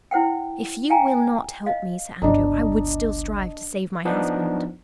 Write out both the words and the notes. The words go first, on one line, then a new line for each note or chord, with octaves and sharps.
If you will not help me, Sir Andrew, I would still strive to save my husband.
E4 C5 F#5 G5
F5 G5 G#5 A#5
D#5 F5
G1 C#2 D4 D#5 A#5
F3 B3 D4 D#4